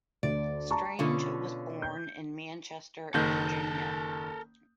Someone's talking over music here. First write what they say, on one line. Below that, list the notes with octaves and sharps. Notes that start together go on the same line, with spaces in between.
Strange was born in Manchester, Virginia.
D2 D5
A5 A#5 C#6
B2 D3 C#4 F4
G6
F#1 D#3 A4 A#4 G6